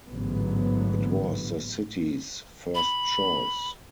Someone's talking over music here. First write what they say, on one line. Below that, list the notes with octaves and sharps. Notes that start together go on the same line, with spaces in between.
It was the city's first choice.
A1 G#2 D3 E3 F#3 B3
B5